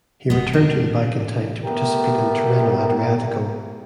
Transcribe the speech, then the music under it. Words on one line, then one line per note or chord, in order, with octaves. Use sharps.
He returned to the bike in time to participate in Tirreno-Adriatico.
F#1 E2 G#3 B3
D4
C3 E3 A3
A3 B3 G4 A#4